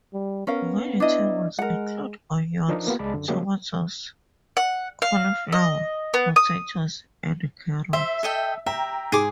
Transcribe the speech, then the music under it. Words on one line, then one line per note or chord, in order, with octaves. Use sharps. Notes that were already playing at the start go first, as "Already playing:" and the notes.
Vegetables include onions, tomatoes, cauliflower, potatoes and carrots.
G3
B3 C#4 A#4 F5
D4 E4 D#5
G#3 A#4 F#5
F3 D4 D#4 A#4
A#3 B3 F4 G4
C#2 G#3 D5 A5 B5
F#2 D3
C#3 F#3 G#3 A#3 G4 G#4
F#5
F5
D#5
B3
D#6
C5 E5
A4 D#5 G5
E5 G5 A#5
G#2 G#4 D6